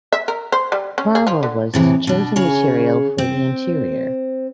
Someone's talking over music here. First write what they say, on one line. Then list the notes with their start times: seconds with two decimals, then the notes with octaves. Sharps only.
Marble was the chosen material for the interior.
0.13 E5
0.28 A#4
0.52 C5
0.72 G3
0.98 C#4
1.15 G#4
1.27 F3
1.43 D3
1.74 A2 C3 E3
2.07 B2 D4
2.36 C#3 G#4 C#5
3.18 C4